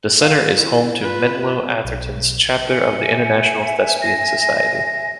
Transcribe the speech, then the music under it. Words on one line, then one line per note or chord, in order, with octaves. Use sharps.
The Center is home to Menlo-Atherton's chapter of the International Thespian Society.
F5
E4
F4 B4
B1
E5 G#5 C#7
A#6